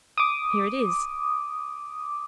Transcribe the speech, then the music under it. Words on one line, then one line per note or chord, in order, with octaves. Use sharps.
"Here it is."
D6 D#6